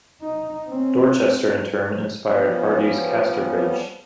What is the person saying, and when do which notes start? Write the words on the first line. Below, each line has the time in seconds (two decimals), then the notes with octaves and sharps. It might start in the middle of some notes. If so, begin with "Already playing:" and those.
Dorchester, in turn, inspired Hardy's Casterbridge.
0.21 D#4
0.69 C4 C#4
2.26 F3 G3 B3 C#4